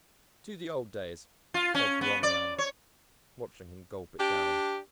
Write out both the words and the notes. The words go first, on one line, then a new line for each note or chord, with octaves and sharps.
"To the old days," said Romarin, watching him gulp it down.
F4
C#4
B3
D5
C#5
D4 G4